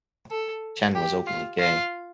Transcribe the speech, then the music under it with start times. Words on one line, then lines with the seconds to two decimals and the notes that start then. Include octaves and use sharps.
Chen was openly gay.
0.30 A4
0.95 G4
1.27 F4
1.60 F4